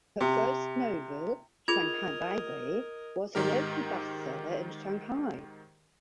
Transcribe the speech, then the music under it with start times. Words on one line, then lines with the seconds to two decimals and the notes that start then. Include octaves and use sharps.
Her first novel "Shanghai Baby", was a local bestseller in Shanghai.
0.20 C3
1.68 F4 G#4 A#4 D#5 D6 G#6 F7
3.35 G#2 D#3 G4 A#4